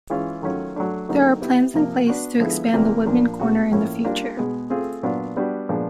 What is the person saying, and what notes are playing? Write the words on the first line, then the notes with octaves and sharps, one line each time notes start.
There are plans in place to expand the Woodman corner in the future.
E3 G#3 C#4 F4
D#3 F#3 A3 C#4 F4
F#3 A3 D4
D3 F#3 A#3 D#4 G#4
B3 E4 G4
C3 F3 A#3
B3 D4 F#4
D3 F3 G#3 B3 E4
C3 E3 G3 A#3
A#2 F3 A#3 D4 F4
B2 G#3 C#4 F#4
A2 F3 A#3 C#4 E4
G3 A#3 D4 F4
B2 G#3 B3
A3 C4 F4 G#4
A#2 F#3 B3 D4 F4
G3 B3 D4 F#4
A#2 F3 G#3 B3 D4